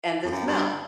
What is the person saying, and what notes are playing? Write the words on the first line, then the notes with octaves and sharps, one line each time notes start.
And the smell.
F2
F#2
G2